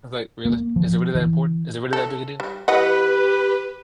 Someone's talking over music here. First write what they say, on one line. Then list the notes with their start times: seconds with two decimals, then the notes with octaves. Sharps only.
I was like, really? Is it really that important? Is it really that big a deal?
0.45 A#3
0.76 F3
1.15 E3
1.93 A4
2.40 G3
2.68 E3 G4 B4 D#5 F#5